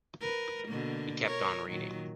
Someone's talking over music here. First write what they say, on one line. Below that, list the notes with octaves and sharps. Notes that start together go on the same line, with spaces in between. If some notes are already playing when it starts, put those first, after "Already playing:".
He kept on reading.
A#4 B4
B2 D3 A#3
A#4 C#5
A#2 D#3 F#3